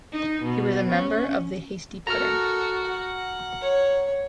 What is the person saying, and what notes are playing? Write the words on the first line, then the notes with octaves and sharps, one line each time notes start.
He was a member of the Hasty Pudding.
D#4
B2
C#4
F#4 A4 A#5 F6
F#5
C#5